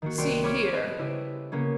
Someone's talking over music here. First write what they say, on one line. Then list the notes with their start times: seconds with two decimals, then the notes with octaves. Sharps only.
"See here."
0.02 D#3 A#3 F#4
0.18 C2 F#4 G5 C6
0.43 C#5 B5 C#6 D6 F6 G#6
0.72 A4 B4 C5 D#5
0.98 C#3 E4 G4
1.52 C#3 A#3 B3 C#4